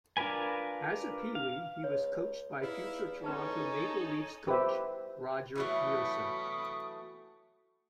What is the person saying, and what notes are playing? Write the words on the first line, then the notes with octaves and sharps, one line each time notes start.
As a PeeWee he was coached by future Toronto Maple Leafs coach Roger Neilson.
D4 F4 A#4 B4 G#5
F5
C#2 C#5
E2 D#4 E4 F5
C#4 D#4 A4 B4 C#5 G#5 A5
G4 B4 C5 E5
E3 F#3 A3 B5 C#6 D#6